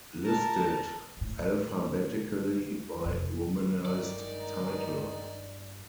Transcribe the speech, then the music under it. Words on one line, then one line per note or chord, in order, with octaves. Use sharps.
Listed alphabetically by romanized title.
A#4 A5
D#2 A2
F2 C3
G2 D#3 G#3 D#4 A#4 D5